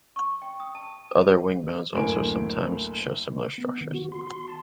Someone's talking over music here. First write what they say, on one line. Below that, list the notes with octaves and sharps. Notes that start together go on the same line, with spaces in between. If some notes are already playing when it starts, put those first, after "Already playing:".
Other wing bones also sometimes show similar structures.
C#6
G5
D#6
A5
F#1 D2 A2 A#3 G#5 D7
B3
D#3
F#4
C6
C6
A5